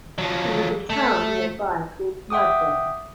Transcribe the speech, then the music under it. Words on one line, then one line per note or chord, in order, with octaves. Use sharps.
There's a town nearby called Majan.
F3 F#3
A3
E5 F#5 G5 D6 D#6